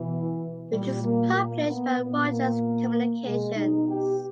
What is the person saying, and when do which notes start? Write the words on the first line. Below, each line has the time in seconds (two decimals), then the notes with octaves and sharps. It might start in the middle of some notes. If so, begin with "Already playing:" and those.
It is published by Rogers Communications.
Already playing: B2 E3
0.72 A#2 G3
1.03 A#3
1.35 A#3
1.67 B3
1.98 A#2 B3
2.30 A#3
3.24 B2 G#3
3.56 D#4
3.88 G4